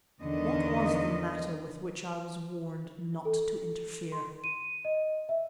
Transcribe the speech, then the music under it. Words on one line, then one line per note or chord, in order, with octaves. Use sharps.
What was the matter with which I was warned not to interfere?
E2 D3 D#3 B3 D#5
A4
C6
D#7
D#5
E5